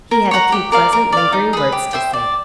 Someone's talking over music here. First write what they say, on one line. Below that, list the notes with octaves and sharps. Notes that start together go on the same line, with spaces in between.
He had a few pleasant, lingering words to say.
A#4
C#5 F#5 A#5
G4
A#4 D5 F5
A#4
D5 F5
D#4
G#4 B4
G4
C5 E5 G5
D5